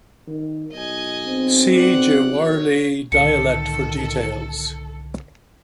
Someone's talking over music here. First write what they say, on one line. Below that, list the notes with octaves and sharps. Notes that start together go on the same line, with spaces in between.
See Jiwarli dialect for details.
D#3
B1 D#5 G#5
C4
D5 F#5
C#5
C2 A2 D3 D#3 A4 C#7